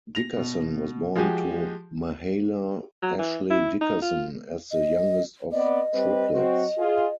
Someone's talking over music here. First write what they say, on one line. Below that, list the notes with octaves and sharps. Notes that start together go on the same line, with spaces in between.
Dickerson was born to Mahala Ashley Dickerson as the youngest of triplets.
A#6 F7
B2
F3 G#3 F#4 G4 G#5
F#3
E3
E4
D#4
F4
D#5
B3 C4 D5 D#5
G3 C4 B4
F#3 C4 F#4
F4 G#4